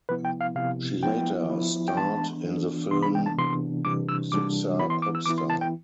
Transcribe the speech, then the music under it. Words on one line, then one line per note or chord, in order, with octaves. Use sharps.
She later starred in the film "Xuxa Popstar".
C3 F3 B3 E4 B4
G5
F5
C3 F3 B3 E4 F5
F3 B3 E4 G5
F3 B3 E4
G5
E3 B3 D4 A5
E3 B3 D4
C3 E3 B3 D4 C6
B5
G5
A5
C3 E3 B3 D4 C6
C3 E3 G3 D4 D6
E6
C3 E3 G3 D4 D6
E3 B3 E4 B5
C6
D6
E6
E3 B3 E4 D6
C6
A5
G5